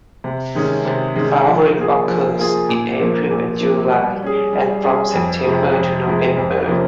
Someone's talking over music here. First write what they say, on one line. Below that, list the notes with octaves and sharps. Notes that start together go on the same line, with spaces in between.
Flowering occurs in April and July and from September to November.
C3
D#3 G#3 C#4
C3
D#3 G#3 C#4
F3
A#3 F4 G#4
F3
A#3 F4 G#4
A#2
F3 A#3
A#2
F3 A#3
G3
C#4 G#4
G3
C#4 G#4
F2
C3 F3 G#3
F2
C3 F3 G#3
F2
C3 F3 A#3 C#4